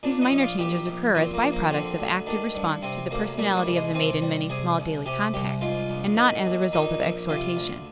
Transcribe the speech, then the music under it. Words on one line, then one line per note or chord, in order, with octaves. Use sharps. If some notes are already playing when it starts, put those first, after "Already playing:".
These minor changes occur as by-products of active response to the personality of the mate in many small daily contacts, and not as a result of exhortation.
A#2 D4
D#4
A#1
F4
A#2 G4
A#1
A#2 C4
A#3
A#1
A#3
D3 C4
D2
D#3 D4
G2
C3 C4
D2 A#3
A#2 G3
G3
C2
G#3
C3 C4
G3
C3 G#4
C2
C3 G4
C2 G4
G#2 F4
A#1
D#3
D#2
A#2 D#4
A#1
C3 F4
D2